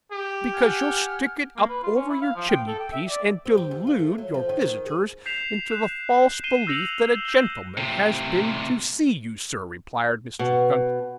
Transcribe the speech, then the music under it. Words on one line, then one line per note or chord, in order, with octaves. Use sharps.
'Because you'll stick it up over your chimney-piece, and delude your visitors into the false belief that a gentleman has been to see you, Sir,' replied Mr. Gunter.
G4
F#5 G#5 F6
A#3
B4
F4
C#4
E4
F5
F3
G5
A4
G5
E5
D5
C4
G4
E2
F4
A3
F#3
F3
D#3
D#3
G#4
G6 B6 C7 E7 F7
F#6 E7
C7 D#7 E7 G7
E6 G6 A#6 C#7 F7 F#7
G6 G7
A2 C3
B2